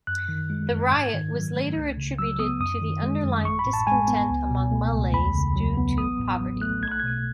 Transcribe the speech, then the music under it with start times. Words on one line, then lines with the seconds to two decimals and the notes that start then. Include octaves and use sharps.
The riot was later attributed to the underlying discontent among Malays due to poverty.
0.07 F#2 F#6
0.29 D#3
0.50 G#3
0.71 F#2
0.92 G#2 G#6
1.13 D#3
1.34 F#3
1.55 A3
1.76 C#2
1.97 C#3
2.19 F#3 E6
2.40 B3 D#6
2.60 F#2 D#6
2.82 D#3
3.03 G#3
3.24 F#2
3.45 A1 C#6
3.59 B5
3.66 A2
3.73 A5
3.87 G#3 G#5
4.08 B3
4.29 C#2
4.50 B2
4.72 A3
4.92 C#2
5.13 E2 B5
5.35 C#3
5.56 F#3
5.77 B3
5.98 A1 D#6
6.19 A2
6.41 F#3
6.61 A3 F#6
6.82 B1 G#6
6.91 F#6
7.00 B2 G#6